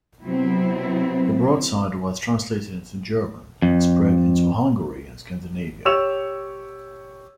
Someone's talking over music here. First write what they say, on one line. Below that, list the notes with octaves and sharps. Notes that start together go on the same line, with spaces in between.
The broadside was translated into German, and spread into Hungary and Scandinavia.
C3 F#3 B3 C4 E4
F2
G4 C#5 C#6 E6 E7 F7